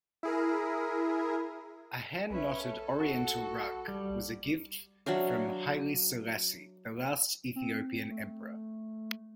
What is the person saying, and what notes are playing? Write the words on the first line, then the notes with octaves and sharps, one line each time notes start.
A hand-knotted oriental rug was a gift from Haile Selassie, the last Ethiopian emperor.
E4 G#4 A#4
B1 C#4 B4 E5
A4
F#4
G3
F#3 D4 E5 F5
C4
A3